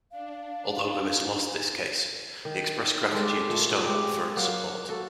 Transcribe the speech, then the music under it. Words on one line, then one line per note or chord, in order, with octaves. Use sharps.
Although Lewis lost this case, he expressed gratitude to Stonewall for its support.
D4 F5
D#3
G#3 G4 A4 D5
A#2 A3 A4
G#3 G4
F#3 A#3 F5 F#5
F#4 A4